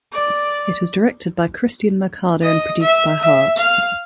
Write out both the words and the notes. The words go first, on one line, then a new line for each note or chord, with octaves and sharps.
It was directed by Kristian Mercado and produced by Hart.
D5
D#5
E5
E5
F5